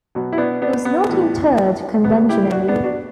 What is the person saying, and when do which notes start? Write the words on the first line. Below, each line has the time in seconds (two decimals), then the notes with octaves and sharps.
He was not interred conventionally.
0.15 B2 F#3
0.33 E4
0.38 B3 D4
0.62 B3 D4
0.85 B3
1.09 A2 E3 G3
2.04 C#3 G3 B3
2.29 E4 G4
2.52 D4 F#4
2.68 B3 D4
2.84 D4 F#4